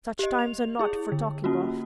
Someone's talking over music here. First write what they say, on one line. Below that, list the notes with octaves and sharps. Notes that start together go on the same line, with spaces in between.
Such times are not for talking of.
G4 D#5
F7
E4 G#4
D3
A#3 C#4 F4 F#4